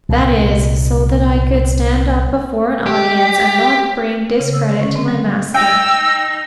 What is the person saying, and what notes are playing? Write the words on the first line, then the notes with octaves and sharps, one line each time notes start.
That is, so that I could stand up before an audience and not bring discredit to my Master.
C2 A#2
G4
C#3
E6
D3
C#4
C4
G3
D#4 G5 E6